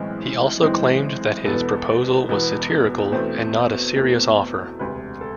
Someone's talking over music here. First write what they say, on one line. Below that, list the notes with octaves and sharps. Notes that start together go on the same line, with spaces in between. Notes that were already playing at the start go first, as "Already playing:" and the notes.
He also claimed that his proposal was satirical and not a serious offer.
Already playing: B1 A2 E3 G#3 C4 G#4
B1 A2 E3 G#3 C4
E1 E2 B2 B3 A4
E1 E2 B2 B3
E2 B2 A3 C4 C5
E2 B2 A3 C4
E1 D2 C3 B4
A4